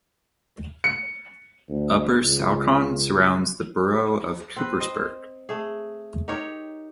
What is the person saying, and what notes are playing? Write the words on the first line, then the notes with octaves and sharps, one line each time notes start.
Upper Saucon surrounds the borough of Coopersburg.
C#7
D2
C#2
C4 B4
C5 D#5
A3 G#4
D#4 G4 A#4 C#5